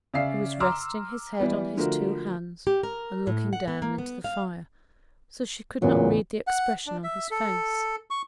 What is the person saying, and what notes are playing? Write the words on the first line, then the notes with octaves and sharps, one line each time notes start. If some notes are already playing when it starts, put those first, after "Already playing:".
He was resting his head on his two hands, and looking down into the fire, so she could not read the expression on his face.
C#3 C#4 D5 E5 F5 C7
A#5 C6 D6 E6 F6
E3 G3 B3
D3 F3 A3 F#4 A#4
G4
A#4
A2
F#5
B3
A#3
B3
F5
A1 E2 A#2 C#3 F#3
F#5
D4
E5
A4
C#6